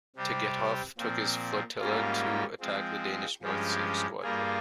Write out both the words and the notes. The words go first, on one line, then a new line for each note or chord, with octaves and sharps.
Tegetthoff took his flotilla to attack the Danish North Sea Squadron.
C3 G3 C4 G4
A#2 F3 C4
G#2 G3 A#3 C#4 F4
F3 G#3 C4
G2 F3 G#3 C#4 G4
G2 G3 A#3 F4 G#4